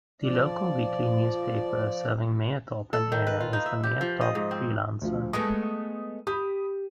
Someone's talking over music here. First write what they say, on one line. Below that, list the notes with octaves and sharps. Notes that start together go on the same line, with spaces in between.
The local weekly newspaper serving Mayerthorpe and area is the "Mayerthorpe Freelancer".
F3 D5
A4
D#3
B4
F4
D#4
E5
G4
F3
D#5
G#2
C4
D2 F3
G#3 A3 B3 D#6
G4 B5 D#6